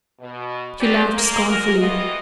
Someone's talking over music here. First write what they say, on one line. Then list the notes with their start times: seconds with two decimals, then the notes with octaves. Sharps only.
She laughed scornfully.
0.21 B2
0.80 F#3 G#3 C4 C#4 G4 D5
1.14 A#3
1.49 G#3 A#3 F#4 A#4
1.79 F2 E3 B3 F4 D#5